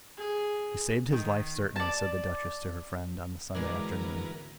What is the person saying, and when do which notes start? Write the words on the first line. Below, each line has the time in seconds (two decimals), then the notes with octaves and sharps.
"You saved his life, certainly," said the Duchess to her friend on the Sunday afternoon.
0.17 G#4
1.13 D#3
1.76 D5 A5
3.55 G#1 D2 E3 G#3 B3 D4 A#4 G#6